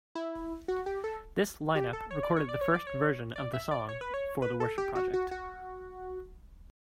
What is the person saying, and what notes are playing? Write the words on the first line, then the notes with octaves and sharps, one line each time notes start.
This line-up recorded the first version of the song for "The Worship Project".
E4
F#4
G4
A4
G4
A4
C#5
D5
C#5
D5
C#5
D5
C#5
D5
E5
D5
C#5
B4
C#5
B4
A4
G4
F#4
F#4
F#4